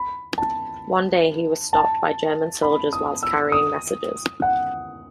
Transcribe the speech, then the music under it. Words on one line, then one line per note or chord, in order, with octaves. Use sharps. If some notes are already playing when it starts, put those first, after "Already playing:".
One day he was stopped by German soldiers whilst carrying messages.
Already playing: B5
A5
A5
B5
D#6
E6
D#6
F#5